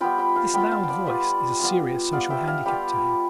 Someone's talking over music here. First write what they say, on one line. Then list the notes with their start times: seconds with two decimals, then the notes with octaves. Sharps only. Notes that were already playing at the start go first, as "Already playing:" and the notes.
This loud voice is a serious social handicap to him.
0.01 G3 B3 F4 G5 B5
0.18 G5 B5
0.36 F5 A5
0.53 G3 B3 F4 G5 B5
0.71 F5 A5
0.83 G5
0.89 D5 F5
1.06 G3 B3 F4 B4 D5
1.60 G3 B3 F4
2.12 G3 B3 F4 D5 F5
2.30 E5 G5
2.47 F5 A5
2.66 G3 B3 F4 G5 B5